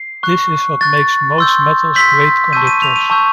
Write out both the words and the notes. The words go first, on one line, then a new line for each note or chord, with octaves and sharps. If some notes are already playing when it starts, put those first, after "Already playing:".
This is what makes most metals great conductors.
Already playing: C7
C#6 F#6
C#6 F#6 A6
C6 E6 G6
C6 E6 G6 B6
A5 C#6 E6 G6 D#7
D#7
F7
D#7
A5 C#6 E6 G6